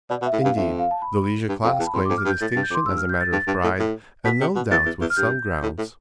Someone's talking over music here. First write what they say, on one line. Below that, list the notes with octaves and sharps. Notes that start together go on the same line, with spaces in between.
Indeed, the leisure class claims the distinction as a matter of pride, and no doubt with some grounds.
B2 D5
B2
E5
A2
F5
G2
F2 E5
F5
A5
B5
G2
F2 F5
G5
E2 A5
B5
F2 C6
D6
F2
F6
G2
G6
A2 A6
A6
G2
G6
F2 D6
C6
G2 E6
F6
G6
A6
G2 A6
G2
A2
A2
B2 B6
C3
B2
E2 A6
E2
E2
F6
G2 G6
A2
A2